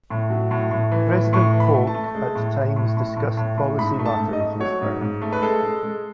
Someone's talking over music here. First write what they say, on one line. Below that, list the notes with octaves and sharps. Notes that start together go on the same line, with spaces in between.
President Polk at times discussed policy matters with her.
A2
F#3
A2
A2
E3
A2
A2 C#6
E3
B5
A3
A5
A3
G#3
A2
A2
A2
A2
A2
A2
A2
G#2 B5
A3
A5
G#2
D#5
A3
F#3 C#5
G#2
G#2
A3
B4
G#3 A4
G#3
G#3